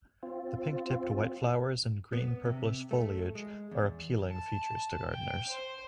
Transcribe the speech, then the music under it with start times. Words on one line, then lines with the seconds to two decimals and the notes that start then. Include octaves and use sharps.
The pink tipped white flowers and green purplish foliage are appealing features to gardeners.
0.23 C4 F4
2.13 B3
2.45 C3
2.91 A3
3.35 G#3
3.71 E2
4.31 A5
5.10 G5
5.49 C5